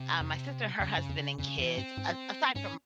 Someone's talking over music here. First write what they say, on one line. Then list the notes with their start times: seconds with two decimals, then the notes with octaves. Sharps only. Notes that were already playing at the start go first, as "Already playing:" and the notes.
uh, my sister and her husband and kids, a aside from
Already playing: C3
0.21 F2
0.80 E2 C#3
0.97 G2
1.09 F2
1.38 F2 C#3
1.58 F2 E3
1.77 G#2 C4
1.97 G#2
2.55 G#2 C#4